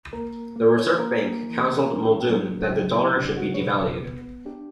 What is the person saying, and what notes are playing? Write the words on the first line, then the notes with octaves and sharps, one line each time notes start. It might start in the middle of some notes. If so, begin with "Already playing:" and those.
The Reserve Bank counselled Muldoon that the dollar should be devalued.
A#3 A#4
A#3
C#5
B4
A#3 A#4
E3
C#4 A#4
F#3
C#3 G4
E4
C#3 D4
F#4
C#5
B2 B4
B3
D4 G4